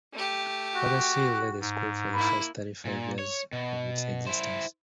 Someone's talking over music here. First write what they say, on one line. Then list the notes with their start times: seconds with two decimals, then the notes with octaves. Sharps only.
Father Sill led the school for the first thirty-five years of its existence.
0.14 A3 G4
0.75 F#4
1.61 G#2
2.13 A#3 E4 B5
2.85 A#2
3.19 C#5
3.53 B2
4.27 E4 C5